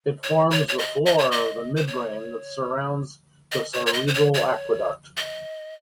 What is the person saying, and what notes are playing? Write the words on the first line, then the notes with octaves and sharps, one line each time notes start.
It forms the floor of the midbrain that surrounds the cerebral aqueduct.
C#5
C#5
C#5
D#5
D#5
C#5
D#5
C5
C#5
D#5
C#5
C#5
D#5
C5
C#5
C#5
D#5